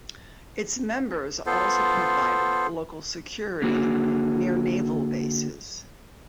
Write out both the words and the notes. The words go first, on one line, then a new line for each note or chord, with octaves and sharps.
Its members also provided local security near naval bases.
B3 F4 A4 C5
D3 A#3 F#4 G#4